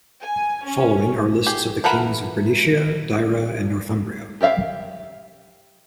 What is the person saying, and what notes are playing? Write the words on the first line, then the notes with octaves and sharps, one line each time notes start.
Following are lists of the kings of Bernicia, Deira, and Northumbria.
G#5
C#4
G4 G#4
E3 A4 A#4 F#5 B5
G4 A#4 E5 F5